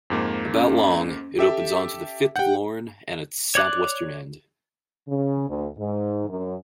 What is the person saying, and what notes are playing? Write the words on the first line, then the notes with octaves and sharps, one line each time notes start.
About long, it opens onto the Firth of Lorne at its southwestern end.
F2 G#2 A#3
C#4
G4 A4 E5
G4 F#5 G5 G6
C#5 D5 D6 F#6
C#3
D2
G#2
F#2